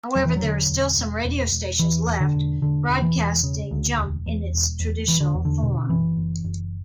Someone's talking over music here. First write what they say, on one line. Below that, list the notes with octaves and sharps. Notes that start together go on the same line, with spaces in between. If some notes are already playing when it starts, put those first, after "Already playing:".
However, there are still some radio stations left, broadcasting Jump in its traditional form.
E1 F#3
E3
F#3
D3
E1
E1
E1
E1
E2 E3
E1
D3
E1
E1 D3
E1
E3
E1
C#3
D2
E1
E2
E1
E2
E1 E3
D3
E2
D3
B2
F#1 E3
F#1
F#1